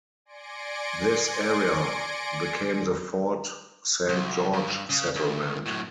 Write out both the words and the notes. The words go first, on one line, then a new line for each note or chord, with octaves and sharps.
This area became the Fort Saint George settlement.
D5 G#5 C6 A#6 C#7 D7
C2
G2
C#3
D2
F#2 A2